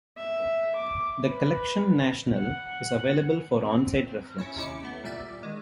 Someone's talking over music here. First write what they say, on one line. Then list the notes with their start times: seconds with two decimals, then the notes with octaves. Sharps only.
The "Collection nationale" is available for on-site reference.
0.17 E5
0.75 D6
1.23 B4
2.37 F#5
3.61 C4
4.38 C#4 E4 C#5
4.56 D#2 C3 C#4 E4 D6 C#7
4.83 A3 B3
5.04 A#2 G3 D5 E5
5.43 D#3 G#3